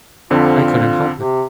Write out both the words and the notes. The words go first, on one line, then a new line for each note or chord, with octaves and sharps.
I couldn't help it.
F2 D3 C4 F4
C3